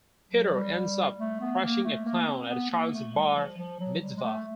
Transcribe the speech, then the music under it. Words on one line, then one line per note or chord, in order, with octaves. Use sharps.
Peter ends up crushing a clown at a child's bar mitzvah.
F#3
G3
A3
B3
A#3
A3
A#3
C4
B3
A#3
A3
G3
F3
F3
F#3
G3
G#3
A3